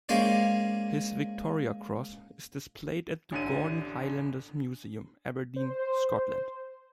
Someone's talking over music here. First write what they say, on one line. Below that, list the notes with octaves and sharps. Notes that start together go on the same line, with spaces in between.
His Victoria Cross is displayed at the Gordon Highlanders Museum, Aberdeen, Scotland.
G#3 A#3 C#4 C5 D5
A1 D3 D#7
C5